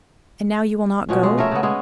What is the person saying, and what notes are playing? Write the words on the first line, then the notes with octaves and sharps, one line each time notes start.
"And now you will not go?"
B2 F3 C#4
G#3
A3 A#4 C#5 E5
C#3 B3
G#3 B3 C#4